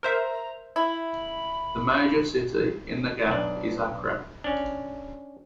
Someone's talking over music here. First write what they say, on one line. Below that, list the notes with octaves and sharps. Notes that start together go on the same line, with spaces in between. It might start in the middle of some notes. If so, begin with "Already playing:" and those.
The major city in the Gap is Accra.
A#4 C5 E5 A#5
E4 B5
B1 D4
C#4 D4